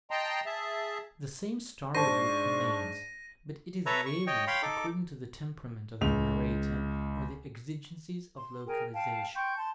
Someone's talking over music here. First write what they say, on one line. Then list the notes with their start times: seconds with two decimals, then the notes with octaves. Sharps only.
The same story-root remains, but it is varied according to the temperament of the narrator or the exigencies of localization.
0.11 D#5 G5 A5 A#5 C6
0.46 G#4 E5 A5
1.95 G#2 D4 C5 A5 C#6 A#6 D#7
3.86 A4 B4 C#5 E5 A#5
4.06 C#6
4.27 C#5 D#5 G5
4.47 C#5 F5 G5 B5 C6
4.62 D#4 A4 D6
6.01 C#2 F7
8.37 C6
8.66 G#4 A#4 G5 G#5
8.93 F5 G5 A5
9.35 G5 C6 C#6 G6
9.57 A5 C6